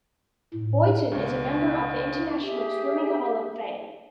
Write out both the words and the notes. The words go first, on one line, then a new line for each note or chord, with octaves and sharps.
Boyton is a member of the International Swimming Hall of Fame.
A2
C#2 B2
G4 G#4 E5